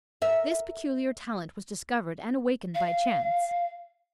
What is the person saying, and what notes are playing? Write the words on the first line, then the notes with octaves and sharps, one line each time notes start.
This peculiar talent was discovered and awakened by chance.
A#4 E5
F5